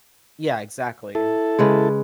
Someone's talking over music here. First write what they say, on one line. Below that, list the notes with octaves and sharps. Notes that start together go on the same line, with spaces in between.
Yeah, exactly.
E4 A4
C#3 G#3 B4